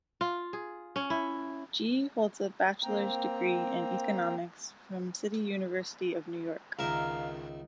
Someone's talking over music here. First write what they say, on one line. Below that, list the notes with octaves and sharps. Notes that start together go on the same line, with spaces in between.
Jee holds a bachelor's degree in Economics from City University of New York.
F4
G#4
C#4
E4
A#3 C4 G5 A#5
C#2 D#3 A#4 E5 F5